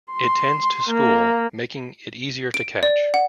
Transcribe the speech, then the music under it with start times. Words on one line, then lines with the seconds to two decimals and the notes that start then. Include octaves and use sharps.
It tends to school, making it easier to catch.
0.12 C6
0.89 A#3
2.54 D7
2.83 D5
3.14 F#5